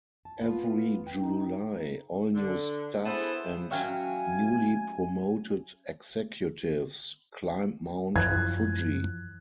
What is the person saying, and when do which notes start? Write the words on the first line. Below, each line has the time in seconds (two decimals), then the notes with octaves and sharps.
Every July all new staff and newly promoted executives climb Mount Fuji.
0.25 A5
0.41 B3 F4
1.07 G5
1.20 D#4
2.35 D3
3.05 B3 E4 G#4 A4 C5 A5
3.71 F#3 C#4 F#4 E5 F5 G5 G#5
8.16 F#2 E3 F3 F#6 G#6